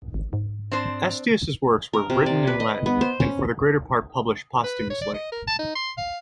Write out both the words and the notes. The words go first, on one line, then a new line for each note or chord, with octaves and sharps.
Estius's works were written in Latin and for the greater part published posthumously.
G#1
G#2
C4 D4 C5
A#4
C3
D5
B4
D#5
B3
C5
C#4
B4
C#5
D5
D#5
A#4
A5
D#4
C6
F5